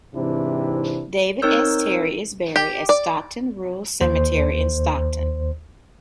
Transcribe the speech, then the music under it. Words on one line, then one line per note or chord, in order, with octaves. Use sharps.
David S. Terry is buried at Stockton Rural Cemetery in Stockton.
G#2 C3 E3 C4 D4 E4
C4 D#4 A#4 C#5 E6 G6
G4
D5
D#2 C5